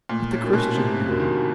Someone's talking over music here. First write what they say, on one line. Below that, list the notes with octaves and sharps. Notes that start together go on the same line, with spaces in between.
"But the Christian name?"
A#2 A3
A2
D4 F#4 A#4
B2
C3 A3
C#3
D4 F#4 A#4
D#3